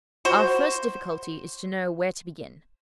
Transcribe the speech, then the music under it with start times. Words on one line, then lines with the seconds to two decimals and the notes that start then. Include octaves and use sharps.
Our first difficulty is to know where to begin.
0.25 F#4 C5